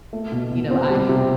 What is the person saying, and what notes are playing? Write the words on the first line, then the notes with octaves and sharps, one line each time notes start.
you know, I
A3
B2
B2
C4
G3
C3